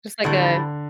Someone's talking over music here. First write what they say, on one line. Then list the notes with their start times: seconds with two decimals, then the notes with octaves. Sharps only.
Just like a
0.24 A2 D3 E3 G3